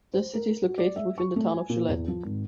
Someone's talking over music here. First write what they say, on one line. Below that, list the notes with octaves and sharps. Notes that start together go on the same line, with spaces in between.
The city is located within the Town of Gillett.
C5
A#4
F#4
D5
E5
C#6
A3
G#5
A#2
E2
F3
G#1